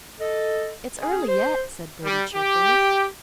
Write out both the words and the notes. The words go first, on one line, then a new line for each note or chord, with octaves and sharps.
"It's early yet," said Bertie cheerfully.
A4 D#5
C#4 G#4
C5
G3
G4